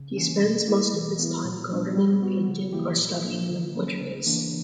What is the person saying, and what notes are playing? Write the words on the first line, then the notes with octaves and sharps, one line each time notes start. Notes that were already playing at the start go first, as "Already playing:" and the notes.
He spends most of his time gardening, painting, or studying languages.
Already playing: C#3
E3 A#3 C#4
B2
A#3 E4 G4
E3
B3 E4
A#2
G3 B3 D4
G3
B3 F#4
C#3
E3 A#3 E4 G4
A#2
A#3 D4
D3
F#3 A#3 C#4
C#3
E3 A#3 D4